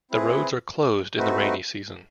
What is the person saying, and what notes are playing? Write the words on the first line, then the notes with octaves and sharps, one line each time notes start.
The roads are closed in the rainy season.
C4 E4 G#4 B4
A3 C4 D#4 F#4 B4